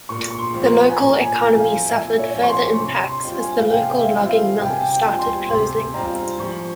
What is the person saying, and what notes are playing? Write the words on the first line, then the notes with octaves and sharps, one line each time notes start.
The local economy suffered further impacts as the local logging mills started closing.
A#2 C#6
C#6
C6
F3 C4 F4
A#5
G#5
A#2 A#5
G#5
A#5
F3 C4 F4
F5
A#2 E5
C#5
F3 C4 F4
C#6
C6
C3 C#6
C6
G3 C4 F4
G#5
F5
C3 G5
F5
E5
G3 C4 F4
F5
C3 G5
G#5
G5
G5
G3 C4 F4
C6
C3 C6
G3 C4 F4 A#5
F3 C#6